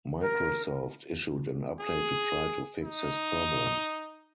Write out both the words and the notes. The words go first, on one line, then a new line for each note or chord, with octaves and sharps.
Microsoft issued an update to try to fix his problem.
A#4
G#4
D#4